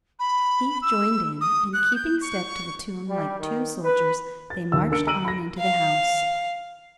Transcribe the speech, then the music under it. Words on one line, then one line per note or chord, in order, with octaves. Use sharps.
Keith joined in, and keeping step to the tune, like two soldiers, they marched on into the house.
B5
E6
D#6
F#6
G6
C#6
G3
D#3
B4
A6
D#2 E6
D4 A#4 E6 C#7 D7
A#5 E6 D7 D#7 F#7
B5 A#6
F5